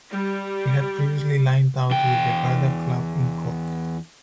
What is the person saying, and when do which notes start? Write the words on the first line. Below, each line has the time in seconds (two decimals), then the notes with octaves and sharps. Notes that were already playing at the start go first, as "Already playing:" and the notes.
He had previously lined out with the Garda club in Cork.
0.10 G3
1.91 E2 G5